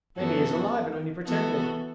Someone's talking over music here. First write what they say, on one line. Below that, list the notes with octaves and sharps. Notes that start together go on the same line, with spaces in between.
Maybe he is alive and only pretending!
F#2 E3 B3 F#4 A4
E3 B3 F#4 A4